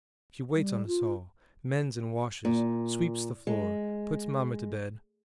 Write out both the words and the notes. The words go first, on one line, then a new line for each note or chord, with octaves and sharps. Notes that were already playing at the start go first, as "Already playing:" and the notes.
She waits on us all, mends and washes, sweeps the floor, puts mamma to bed.
G3
F4
A#2
G#3